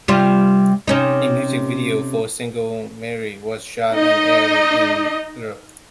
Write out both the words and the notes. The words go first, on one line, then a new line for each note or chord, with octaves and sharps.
A music video for the single "Merry" was shot and aired in Europe.
C3 G3 F4
C3 C#4 D#4
D#4 D#5